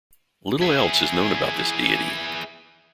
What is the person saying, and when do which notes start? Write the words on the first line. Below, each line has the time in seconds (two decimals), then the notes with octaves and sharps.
Little else is known about this deity.
0.61 E4 G#4